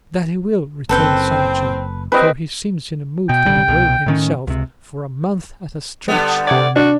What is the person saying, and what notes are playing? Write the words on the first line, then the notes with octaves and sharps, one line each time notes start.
"That he will," returned Sancho, "for he seems in a mood to bewail himself for a month at a stretch."
F#1 C4 A4 B4 G5
C3 C4 B4 D#5
B2 G5
A1 D3 G3
C2 B2
A2 D#3 C#4
C#2 C3
D3 G3 B3
C3 D5 F#5 G#6
D4 F#4